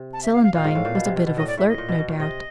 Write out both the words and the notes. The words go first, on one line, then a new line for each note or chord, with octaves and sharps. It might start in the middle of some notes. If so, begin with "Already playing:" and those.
Celandine was a bit of a flirt, no doubt.
Already playing: C3
A5
E5
F5
F5
A#2 F5
G#2
A2
A#2
B2
C3
B2
B2
A2 D#5
D5
A2 E5
D#5
A#2
B2
B2
A#2
C3 D#5